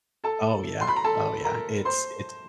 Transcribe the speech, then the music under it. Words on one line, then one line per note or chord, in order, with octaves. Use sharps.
Oh yeah, oh yeah, it's it's
A4 A5
C6
B5
A#5
A4 A5
A#4 A#5
C5 C6